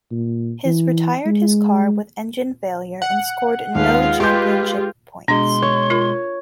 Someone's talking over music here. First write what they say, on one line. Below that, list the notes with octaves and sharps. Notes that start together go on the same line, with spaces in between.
His retired his car with engine failure and scored no championship points.
A#2
E3
G#3
F#5
D#2 G#3 F4 B4 F5
G4 B4 C6 G6
B2 G#3 D4 C6
C#5
F4 A#4